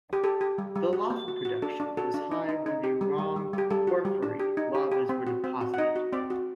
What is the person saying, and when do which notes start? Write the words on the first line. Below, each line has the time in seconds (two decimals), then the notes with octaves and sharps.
The lava production was high when the rhomb porphyry lavas were deposited.
0.13 G4
0.24 G4 A4
0.41 G4
0.58 G3
0.76 G3
0.93 F#4
1.10 A#3
1.28 F#4
1.45 F#4
1.62 D4 A4
1.80 D4
1.97 F#4 A4
2.14 D4
2.32 D#4
2.49 D#4
2.66 D#4
2.84 G4
3.01 G3
3.18 G3
3.36 G3
3.53 G3 G4
3.70 G3 A4
3.87 F#4
4.05 G3
4.23 D4
4.40 G4
4.57 D#4
4.75 G4
4.92 G4
5.09 C4
5.27 F#4
5.44 C4
5.61 F#4
5.74 F#5
5.78 D#4 D#5
5.96 F#4
6.13 C4 D5
6.30 F#4